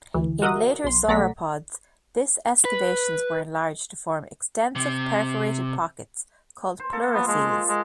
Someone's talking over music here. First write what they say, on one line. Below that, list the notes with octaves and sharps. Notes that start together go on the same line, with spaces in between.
In later sauropods, this excavations were enlarged to form extensive perforated pockets called pleurocoels.
D2 E3
F#4 A#4 D#5 E5 F#5 D#6
B1 C6
B1 A3 D5 F#5 A#5 B6
B4
C3
C5
A#3 A4
F3 B3
F3 G#3
G#3